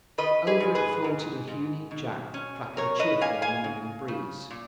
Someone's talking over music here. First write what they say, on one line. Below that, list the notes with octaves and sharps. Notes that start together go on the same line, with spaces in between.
Over it flaunted a Union Jack, flapping cheerfully in the morning breeze.
D#3 B4 D#5
G#4 B4
G#2
G#4 B4
G#2
G#2
B2
C#4
F#3 A#4 C#5
B4 D#5
A#2 F5 G#5
F5 G#5
C#3
C#3
A#2